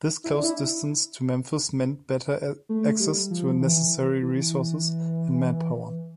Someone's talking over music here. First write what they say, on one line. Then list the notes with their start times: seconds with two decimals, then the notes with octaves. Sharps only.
This close distance to Memphis meant better access to necessary resources and manpower.
0.24 E4
0.34 D4
0.44 E4
2.69 A3
2.99 G3
3.31 F3
3.61 E3
4.22 E3